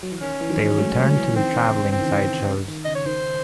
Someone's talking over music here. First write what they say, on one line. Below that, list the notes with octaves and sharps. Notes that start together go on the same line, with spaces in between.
They returned to the travelling sideshows.
F#3
E3
D#3 C#4
E3
D#3 F#3
G#3
F#3 A3
F#3
C#3 E3
D#3 C4
E3
D#3
C#3
D#3
C#3
E3 C4
D#3
C#3
D#3
C#3 E3
C#3
D#3
C#3 D#5
C#5
D#3 C5